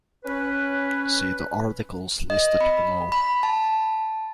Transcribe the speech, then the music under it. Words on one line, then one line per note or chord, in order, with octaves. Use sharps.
See the articles listed below.
C#4 B4
D#5
B5
B5
A5